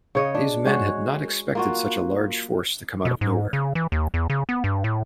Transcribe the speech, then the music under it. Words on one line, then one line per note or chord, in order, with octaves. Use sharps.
These men had not expected such a large force to come out of nowhere.
C#3 C#5 D#5
D4
G#3 F#4 C#5
A#3 F4 F#4
B2
G#2
C#3
E3
D#2
E2
C#3
B3
G2
A2